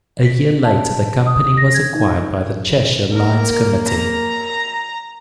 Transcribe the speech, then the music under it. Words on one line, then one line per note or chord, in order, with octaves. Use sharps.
A year later the company was acquired by the Cheshire Lines Committee.
B6
A5
D#6
A#6
G#6
D#4
A#3 A#4
A#5